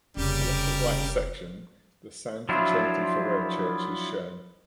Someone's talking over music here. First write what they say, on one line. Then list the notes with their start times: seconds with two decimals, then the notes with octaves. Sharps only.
In the upper right section the San Vicente Ferrer church is shown.
0.17 F1 C#3 G3 G4 A#4
2.49 F3 F#3 D4 E4 F4